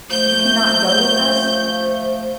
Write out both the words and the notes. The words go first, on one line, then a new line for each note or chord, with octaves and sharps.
"You cannot go with us!"
F3 A3 G6